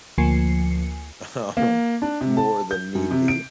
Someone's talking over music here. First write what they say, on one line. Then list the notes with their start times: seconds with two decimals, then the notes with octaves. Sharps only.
um, more than need be,
0.18 D2 F3 A#3 G#5 C7 C#7
1.57 A#3
2.02 D4
2.21 C3
2.37 A5
2.71 G6
2.95 F#2
3.11 C3
3.28 D7